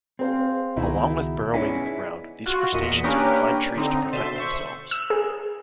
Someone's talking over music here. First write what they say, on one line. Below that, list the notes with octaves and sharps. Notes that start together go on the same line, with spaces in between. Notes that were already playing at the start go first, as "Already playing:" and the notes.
Along with burrowing in the ground, these crustaceans can climb trees to protect themselves.
C4 G#4 C5 F5
C#2 B2 D#3 D#4 E4 G#4 E5
B3 C#4 D#4 E4 G#4 D5 B6
F4 F#4
E2 A#2 D#5 B6 C#7
A#3 C#4 D4 G4 A#4 B4
D3 C4 D#4
B2 D3 E5 C6 A6 D#7
C5 E5 C#6
E6
G#4